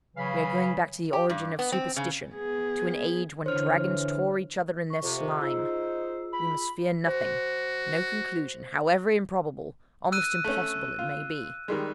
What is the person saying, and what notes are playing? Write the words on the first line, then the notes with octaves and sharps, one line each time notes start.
We are going back to the origin of superstition--to an age when dragons tore each other in their slime. We must fear nothing--no conclusion, however improbable, almost impossible it may be.
C#3 E3 F#3 F5 B5
G4
G2
B3
C4
C#3
B3 G#4
D3 E3 C5 C#5 F6
C#6
F2 C3
D#4 F4 G#4 C5 E6
B5
F#4 C5
E6 F#6 D#7
A3 C#4
F4
D#3 G3 G#3